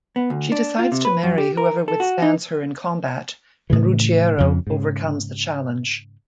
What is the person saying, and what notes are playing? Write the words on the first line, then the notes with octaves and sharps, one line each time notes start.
She decides to marry whoever withstands her in combat and Ruggiero overcomes the challenge.
B3
D2
D4
F4
C3
B4
F#2
G4
A#4
A4
F#4
D#4
A2 C#3 E3
F2 C#3
G#2 C#3